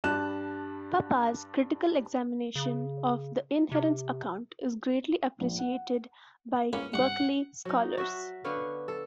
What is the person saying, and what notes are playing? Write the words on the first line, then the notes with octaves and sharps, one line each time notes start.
Pappas' critical examination of the "inherence account" is greatly appreciated by Berkeley scholars.
G2 G3 A5 F#6 E7
C#3
C3
A#1
F#5
C#2 A#3 C#4 B4
G2 F#5 C#6
F#3 D#4
F#4 E5
D3 B3 C#5 F5
A4